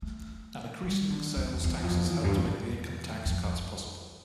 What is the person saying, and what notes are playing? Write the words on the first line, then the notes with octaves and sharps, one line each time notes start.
And increasing sales taxes helped make the income tax cuts possible.
A3
G3
D3
E2
E2
F2
E2
G2
F2
E2
F2